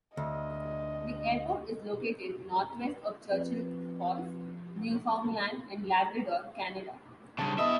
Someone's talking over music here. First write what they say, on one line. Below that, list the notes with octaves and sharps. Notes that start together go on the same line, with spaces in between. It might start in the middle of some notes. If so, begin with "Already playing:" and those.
The airport is located northwest of Churchill Falls, Newfoundland and Labrador, Canada.
D2 D#5
F3 C4 F4 B4
G2 C#3 A5
E2 D#5 E5 B5